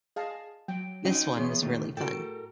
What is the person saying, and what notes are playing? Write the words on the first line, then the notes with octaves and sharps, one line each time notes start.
This one was really fun.
G#4 D#5 F5 A5
F#3 G5
C#4 D#4 F#4 D#5 G5
E3 F3 B3 G#4 C#5 C6
A#2 D#3 A3
A2 F#4 A4 A#4 G5